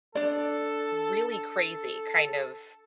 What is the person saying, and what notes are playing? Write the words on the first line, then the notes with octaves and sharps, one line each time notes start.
really crazy kind of,
D4 A4 D5
A4